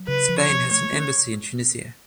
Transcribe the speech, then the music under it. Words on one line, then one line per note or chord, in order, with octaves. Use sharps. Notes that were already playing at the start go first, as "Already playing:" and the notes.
Spain has an embassy in Tunisia.
Already playing: F#3
C#3 B4
F3
C#5
F3
A3 C#5
C#4